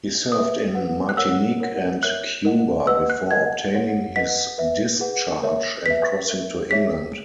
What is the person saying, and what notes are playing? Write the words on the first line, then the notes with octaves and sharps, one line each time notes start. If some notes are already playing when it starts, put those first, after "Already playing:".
He served in Martinique and Cuba, before obtaining his discharge and crossing to England.
B4 E5 D#6
B4 F#5
F#6
A#4 C#5 F#5 E6
A#4 C#5 F#5
A#4 C#5 E5 F#6
A#4 D#5 F#5
B4 D#5 F#5 E6
F#6
A#4 D#5 F#5 G#6
A#4 C#5 F#5
B4 D#5 F#5 B6
B4 E5
G#4 B4 F#5
A#4 C#5 E5
B4 E5 B6
A#4 E5
G#4 C#5 E5 B6